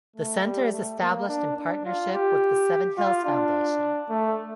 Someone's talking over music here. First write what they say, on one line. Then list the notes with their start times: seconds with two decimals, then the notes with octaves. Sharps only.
The Centre is established in partnership with the Seven Hills Foundation.
0.16 A3
0.44 G3
0.73 A3
1.00 A#3
1.28 D4
1.57 D4
1.85 F4
2.13 G4
2.97 F4
3.25 D4
4.09 A3